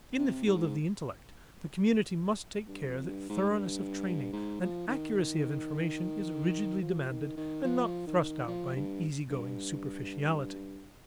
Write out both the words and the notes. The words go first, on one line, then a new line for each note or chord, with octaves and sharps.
In the field of the intellect, the community must take care that thoroughness of training and accuracy of information is rigidly demanded and not thrust out by an easy-going superficiality.
C3
G#2
G2
F2
G2
G#2
G2
G#2
F3
D#3
F3
D#3
D#3
F3
D#3
F3
G2
G2